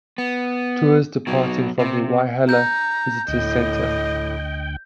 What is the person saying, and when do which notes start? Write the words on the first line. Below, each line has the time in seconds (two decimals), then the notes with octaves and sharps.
Tours departing from the Whyalla Visitors Centre.
0.18 B3
1.27 B2 F#3
1.79 C3
2.49 A#5 G6
3.28 D2 A2 D#5 G5